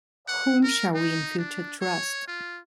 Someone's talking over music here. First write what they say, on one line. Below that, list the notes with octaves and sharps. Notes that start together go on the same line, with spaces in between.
Whom shall we in future trust?
F#5
A#4
D#4
D4
C#5
F4